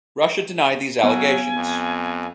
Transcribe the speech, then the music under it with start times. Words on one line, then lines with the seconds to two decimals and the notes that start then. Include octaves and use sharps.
Russia denied these allegations.
1.03 F#3 B3 G#5
1.57 F2